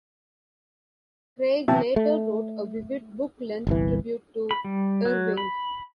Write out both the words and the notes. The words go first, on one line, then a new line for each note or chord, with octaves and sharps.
Craig later wrote a vivid, book-length tribute to Irving.
C3 E3 F#3 E5 G5 A5
A3
G1 C2 E3
B5
G3
F#3
B5